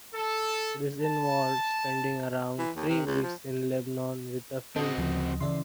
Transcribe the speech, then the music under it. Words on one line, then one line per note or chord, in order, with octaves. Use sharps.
This involved spending around three weeks in Lebanon with a film crew.
A4
A5
E3
D#2
C3
C#2
F3
C4 F#4 D#5 A5
D2 C#3 F3
C#3 E3 D5 E5 C6